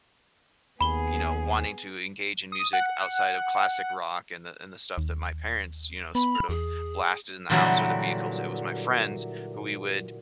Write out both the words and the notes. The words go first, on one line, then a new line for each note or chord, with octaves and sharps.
you know, wanting to engage in music outside of classic rock and the and the stuff that my parents, you know, sort of blasted in the house or their vehicles, it was my friends who we would
D#2 B3 G#4 B5 G7
D#6
F#5
D#2
B3 B5
E2 G#4
A#2 D3 E3 F#3 G3